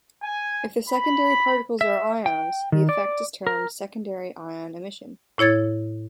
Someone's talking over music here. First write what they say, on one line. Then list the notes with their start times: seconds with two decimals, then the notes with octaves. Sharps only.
If the secondary particles are ions, the effect is termed secondary ion emission.
0.22 G#5
0.89 B5
1.81 E5
2.26 G5
2.72 D#3
2.89 D5
3.47 A#4
5.38 A2 E4 C#5 G#6 A6